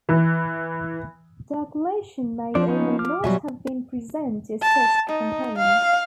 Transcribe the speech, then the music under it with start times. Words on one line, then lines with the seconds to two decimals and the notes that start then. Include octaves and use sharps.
Diocletian may or may not have been present to assist the campaign.
0.09 E3
2.55 F3 C4 D4 D5
2.68 B3 C#4 D#4
2.99 D6 F6
3.24 B2 F#3 G3 E5 G#5 C#6
4.62 A5
5.10 D#4
5.58 F5